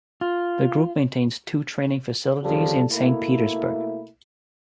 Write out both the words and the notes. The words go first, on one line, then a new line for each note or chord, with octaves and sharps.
The group maintains two training facilities in Saint Petersburg.
F4
F2 C#3 F3 G3 A4
B2 A3 A#3 E4